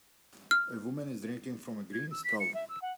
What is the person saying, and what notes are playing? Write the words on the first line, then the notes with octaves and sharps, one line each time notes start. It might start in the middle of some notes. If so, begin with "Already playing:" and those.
A woman is drinking from a green straw.
F6
G#6
E6
B6
C#7
E5
E6
F#5